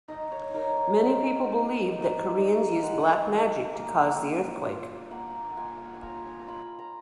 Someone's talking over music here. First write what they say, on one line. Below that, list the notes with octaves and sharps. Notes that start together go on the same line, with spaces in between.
Many people believed that Koreans used black magic to cause the earthquake.
D#4 D#5
C#5
D#4 A#4
C#5
D#4 F5
D#4
D#4
D#4
F5
G#3 F#5
G#3
A#3
A#3
F4
A#3 F#5
F#5
F4 G#5
F5
F#5
G#5
F4 A#5
G#5
A#5
F4 B5
A#5